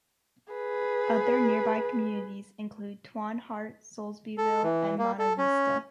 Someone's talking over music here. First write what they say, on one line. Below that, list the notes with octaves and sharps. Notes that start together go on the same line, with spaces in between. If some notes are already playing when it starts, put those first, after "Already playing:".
Other nearby communities include Twain Harte, Soulsbyville, and Mono Vista.
G#4 B4
A4
E3
A#3
A4
C#4